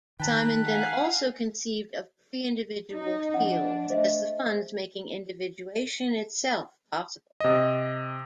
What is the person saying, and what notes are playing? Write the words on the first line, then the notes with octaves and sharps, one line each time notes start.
Simondon also conceived of "pre-individual fields" as the funds making individuation itself possible.
D#3 B4 G5 A5 A#5
F5 F#5 G#5
D#4
F3 D4 D#5 F#5
A3 C5 D#5 E5
C3 D#5